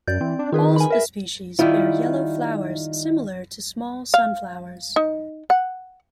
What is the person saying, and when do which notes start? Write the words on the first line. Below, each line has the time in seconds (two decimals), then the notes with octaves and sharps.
All the species bear yellow flowers similar to small sunflowers.
0.07 F#2 D5 G6
0.21 E3 C4
0.39 D4
0.52 D#3 F4 G#4 B4
0.76 G#5 B5
0.90 A#4 E5
1.59 D#3 G3 E4 F4
4.14 F5
4.96 D#4
5.50 F#5